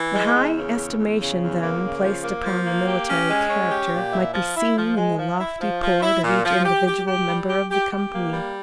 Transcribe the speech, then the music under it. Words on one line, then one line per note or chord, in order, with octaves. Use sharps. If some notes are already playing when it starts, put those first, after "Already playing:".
The high estimation then placed upon the military character might be seen in the lofty port of each individual member of the company.
Already playing: E3
G#3
E2
C#3
E2
E2
C#3
E2
A#3
C#3
F3
A#3
F3
A#3
G4
C#4
G#3
C#4
G4
A#2
E4
F3
E4
F3
G#3
F3
E4
F3
F3
E4
A#2
F3
G4
G4
G4
G3
G4
G4
G4
A#3
G3